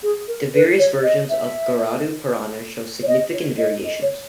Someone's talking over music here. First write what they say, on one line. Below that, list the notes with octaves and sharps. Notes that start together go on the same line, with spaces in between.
The various versions of Garuda Purana show significant variations.
G#4
A#4
B4
C#5
D#5
E5
C#5
D#5
C#5
D#5
D#5
C#5